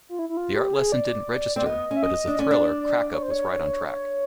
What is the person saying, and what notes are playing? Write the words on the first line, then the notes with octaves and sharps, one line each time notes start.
The art lesson didn't register, but as a thriller "Crack-Up" was right on track.
F4
E4
E4
F4
G4
G#4
D5
C4 D5
B3 D#5
C#4
E5
D#5
D4
C#4 D5
D4
C#5
C5
C#5
C#5